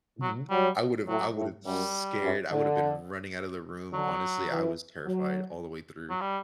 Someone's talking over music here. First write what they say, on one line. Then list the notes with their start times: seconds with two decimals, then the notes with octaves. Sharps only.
Mhm, I would've I would've scared I would've been running out of the room. Honestly, I was terrified all the way through.
0.22 F#3
0.50 F#3 G3
1.07 A2 F#3
1.36 A2
1.65 F#2 G3
2.22 F#2
2.50 D3
3.93 D3 F#3
4.50 E3
5.07 F#3
6.10 F#3
6.21 G3